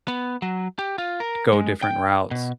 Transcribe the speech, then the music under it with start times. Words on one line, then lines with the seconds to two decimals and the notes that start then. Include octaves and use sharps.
go different routes.
0.08 B3
0.42 F#3
0.79 G4
0.98 F4
1.20 A#4
1.53 G#3
1.82 G5
2.31 B2